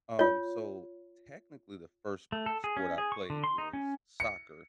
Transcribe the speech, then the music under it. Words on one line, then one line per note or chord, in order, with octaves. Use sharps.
Um, so, technically, the first sp sport I played was soccer,
F4 C#5
A3
A4
G#4
C#4
G#4
C#6
D3
C6
D#4
C#4
C#7